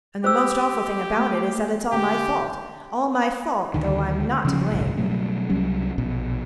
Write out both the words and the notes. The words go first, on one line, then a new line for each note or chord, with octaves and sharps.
And the most awful thing about it is that it's all my fault--all my fault, though I'm not to blame.
G4 B4 C5 E6
A3 A#3
D3 G4 G#5
D2 D3 D#3
C#3 F3 C#4
G1 C2 A2 C#3
B2 F#3 G3 A3
C2 F#3 G3 C#4
A#1 B2